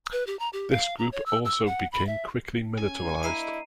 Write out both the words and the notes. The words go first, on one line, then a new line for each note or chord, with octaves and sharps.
This group also became quickly militarized.
B4
G4
A#5
G4
F5
A#5
C#5
E6
E6
F#5
B5
E5
C#4 G#5
A#3 D4 E4 D#5 A#5 C7 D#7